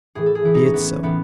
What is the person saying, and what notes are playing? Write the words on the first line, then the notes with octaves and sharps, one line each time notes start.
Be it so.
A2 E3 G#4
A4
G#4
A2 E3 E4
D#4
C#4
A2 E3 B3
A2 E3 B3